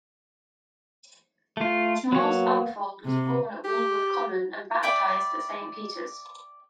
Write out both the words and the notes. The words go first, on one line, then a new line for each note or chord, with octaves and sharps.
Charles Upfold was born at Walworth Common and baptised at Saint Peters.
A3 F4
F#3 A#3 B3 C#5
C3
G4
D5 E5 G5 B5